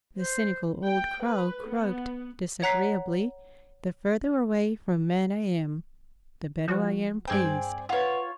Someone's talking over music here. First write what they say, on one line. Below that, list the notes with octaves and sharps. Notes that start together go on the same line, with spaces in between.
The cynical old Crow croaked disagreeably, "The further away from men I am, the better I am pleased."
C5
G5
B4
B3
C#5 F#5 A#5 F#6 B6 C7
F3 F#4
G2 C4 G#4 D5 G6
F4 B4 C#5 F#5